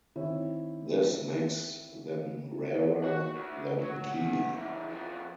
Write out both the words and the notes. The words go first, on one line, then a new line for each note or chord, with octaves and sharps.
This makes them rarer than kiwi.
D#3 C4 E4 C#5
F#4
D2
F#3
A#2 F#5
C#3 E3
F#2 F3